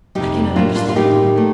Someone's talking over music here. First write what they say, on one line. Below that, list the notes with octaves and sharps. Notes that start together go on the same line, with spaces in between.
I cannot understand it.
F2 C3 G3 D#4 G4
A2 G3 A#3 D4 F4
D4 F4
F4
A2 G3 A#3 D#4 G4
A#2 A3